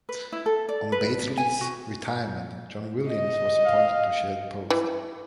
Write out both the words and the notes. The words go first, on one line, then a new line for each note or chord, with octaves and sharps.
On Bately's retirement, John Williams was appointed to share the post.
B4
E4
A4
D5
B4
G#5
F#4
D#5
F5
E3